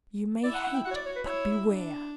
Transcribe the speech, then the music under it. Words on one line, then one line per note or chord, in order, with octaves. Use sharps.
You may hate, but beware!
E4 D5
F#5
F#5
G5
F#4 F#5
C#5
D5
C#5
B4
E4 C#5
D4